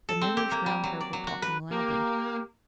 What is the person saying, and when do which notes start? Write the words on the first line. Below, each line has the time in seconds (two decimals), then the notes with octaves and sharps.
The knitters round her were talking loudly.
0.09 A4
0.21 C4
0.37 G4
0.52 A#3
0.66 G3
0.84 F#3
1.00 D5
1.13 F#3
1.27 F#4
1.42 B4
1.71 A#3 G4 A#4